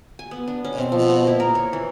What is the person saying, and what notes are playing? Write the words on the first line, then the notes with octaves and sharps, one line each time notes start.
and then
G#5
B3
D4
C#4
C4
F3
B3
E4
A#4
C#5
E3